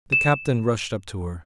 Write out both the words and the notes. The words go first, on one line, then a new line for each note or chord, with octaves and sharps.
The captain rushed up to her.
E7